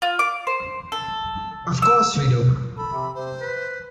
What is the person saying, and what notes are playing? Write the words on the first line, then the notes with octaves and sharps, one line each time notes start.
Of course we do.
F4
D6
C5
A4
E6
A4 B5
C3
C3 C5
B4